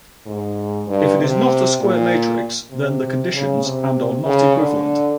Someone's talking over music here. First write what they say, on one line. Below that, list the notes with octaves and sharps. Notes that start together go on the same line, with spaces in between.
If is not a square matrix, then the conditions and are not equivalent.
G#2
G2
C3
A#2
C3
C#3
C3
C#3
D3